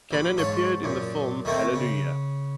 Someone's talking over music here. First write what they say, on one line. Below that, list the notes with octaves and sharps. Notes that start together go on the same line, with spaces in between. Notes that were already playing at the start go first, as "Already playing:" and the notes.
Cannon appeared in the film Hallelujah!
A#1 B5
G#2 F4 C#5 A5
F#2 A#2
D#3 A3 A#3 C4
C#3